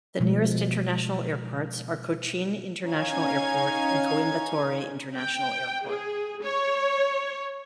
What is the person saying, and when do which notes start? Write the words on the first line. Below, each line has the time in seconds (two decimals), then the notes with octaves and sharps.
The nearest international airports are Cochin International Airport and Coimbatore International Airport.
0.20 B2 F3 G#3
2.87 C#4 D#4 F5 G#5 G#6
5.15 G5
5.85 G#4
6.42 C#5